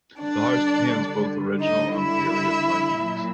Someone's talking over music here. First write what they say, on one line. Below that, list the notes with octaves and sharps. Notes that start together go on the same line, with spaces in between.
The house contains both original and period furnishings.
D3 G3 D4 D5
D#4 D#5
E4 E5
A#2 F#3